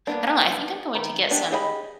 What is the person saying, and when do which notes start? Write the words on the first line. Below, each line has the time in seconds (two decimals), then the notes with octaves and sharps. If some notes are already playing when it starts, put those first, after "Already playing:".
I don't know, I think I'm going to get some,
0.07 A#3 B3 D4
0.94 D#3 B4
1.30 B3 D4 G4
1.51 G4 G#4 D#5 F#5 B5